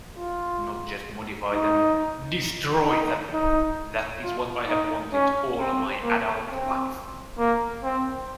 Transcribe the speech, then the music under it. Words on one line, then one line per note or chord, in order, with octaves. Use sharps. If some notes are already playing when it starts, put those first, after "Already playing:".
Not just modify them-destroy them...That is what I have wanted all my adult life.
F4
D#4
D#4
D#4
F4
D#4
C#4
C4
A#3
C4
A#3
C4